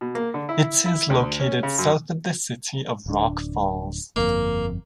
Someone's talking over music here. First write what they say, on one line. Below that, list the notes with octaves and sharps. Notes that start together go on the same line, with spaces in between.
It is located south of the city of Rock Falls.
B2
A#3
D3
E4
E4
D2
C#4
C#3
F#2
D1 D4
G1 F2 A#3